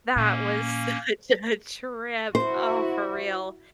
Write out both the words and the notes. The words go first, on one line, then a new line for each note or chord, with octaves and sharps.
That was such a trip. Oh, for real.
A#2 F3 A#3 C#4
E4 F#4 C5